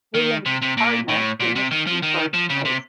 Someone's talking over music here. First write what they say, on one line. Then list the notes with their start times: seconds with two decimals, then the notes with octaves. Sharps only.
He and his partner finished in third place.
0.14 D#3
0.46 C3
0.62 C3
0.77 A#2
1.09 A2
1.40 A#2
1.56 C3
1.71 D#3
1.87 F3
2.03 D#3
2.34 F3
2.50 C#3
2.65 C3